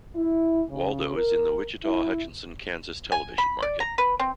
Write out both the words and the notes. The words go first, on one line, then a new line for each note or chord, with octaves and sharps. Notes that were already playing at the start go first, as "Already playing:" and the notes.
Waldo is in the Wichita-Hutchinson, Kansas television market.
E4
C#3
A#4
E4
G#5
B5
D5
A#5
B4
C4